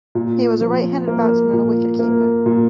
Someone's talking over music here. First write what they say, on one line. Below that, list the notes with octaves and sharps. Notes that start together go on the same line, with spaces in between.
He was a right-handed batsman and a wicket-keeper.
A#2
F3
A#3
A#2
A#3
A#2